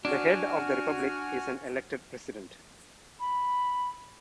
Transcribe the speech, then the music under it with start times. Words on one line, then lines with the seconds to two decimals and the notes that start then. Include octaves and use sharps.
The head of the Republic is an elected President.
0.05 D4 F#4 G#5 F6
3.19 B5